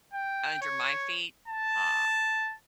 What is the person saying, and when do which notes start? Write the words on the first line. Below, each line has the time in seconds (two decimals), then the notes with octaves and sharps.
under my feet, uh,
0.14 G5
0.62 C#5
1.48 A5